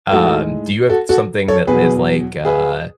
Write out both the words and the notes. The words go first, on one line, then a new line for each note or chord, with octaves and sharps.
Um, do you have something that is like, uh
A2 G#3 D#4 F#4 A4
F#4 A4
F#4 A4
A4 C#5
E2 B2 F#3 G#4 B4
G#4 B4